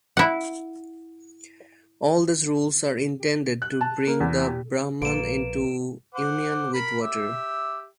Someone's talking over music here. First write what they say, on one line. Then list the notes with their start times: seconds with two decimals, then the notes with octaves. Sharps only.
All these rules are intended to bring the Brahman into union with water.
0.17 E4 F#5
3.62 F#6
3.81 A5
4.07 A#3
4.20 E2
4.47 G4
5.02 A#1 A#3 A4 B4 D7 E7
6.14 C5 F#5 D6
6.73 A#4 B5
7.01 G4 E5